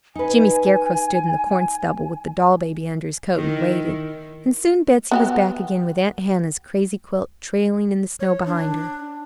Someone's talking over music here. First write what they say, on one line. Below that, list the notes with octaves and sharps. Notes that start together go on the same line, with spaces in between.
Jimmy Scarecrow stood in the corn-stubble, with the doll-baby under his coat and waited, and soon Betsey was back again with Aunt Hannah's crazy quilt trailing in the snow behind her.
D#4 B4 G#5
D#3 E4
B3 F#4 G4
C#5
D4